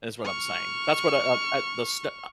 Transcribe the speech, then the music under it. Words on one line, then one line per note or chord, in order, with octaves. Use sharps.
That's what I'm saying. That's what, uh uh, the Sn uh,
C#6 F6